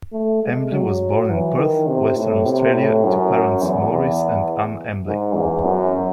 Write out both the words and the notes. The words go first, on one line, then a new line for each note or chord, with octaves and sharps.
Embley was born in Perth, Western Australia, to parents Maurice and Anne Embley.
A3
G#3
F#3
E3
D#3
C3
A2
C3
A2
F#2
E2
E2
G#2
E2
F#2